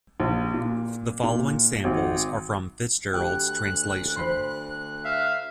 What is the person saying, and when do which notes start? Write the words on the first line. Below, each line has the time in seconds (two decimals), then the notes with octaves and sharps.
The following samples are from FitzGerald's translation.
0.20 A#1
0.54 A#2
1.23 A#2
1.84 G#1
3.14 D2 G4 F#5 G5 F#6
4.16 C5 B5 C6
5.04 E5 F5